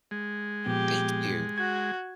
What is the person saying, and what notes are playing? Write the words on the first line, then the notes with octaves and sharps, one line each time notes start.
Thank you.
G#3
A#2 F3 B3 G4
F#4 G#6